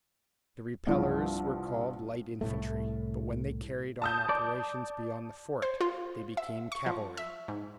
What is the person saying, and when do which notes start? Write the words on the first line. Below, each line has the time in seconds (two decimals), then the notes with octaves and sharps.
The repellers were called light infantry; but when they carried on operations beyond the fort they became cavalry.
0.87 C2 G2 F3 F4
2.41 C2 A2 A3
4.02 A5 D#6 G6
4.29 D5
5.62 C5
5.81 F4
6.37 E5
6.72 C#6
6.86 F3
7.17 E5
7.48 G#2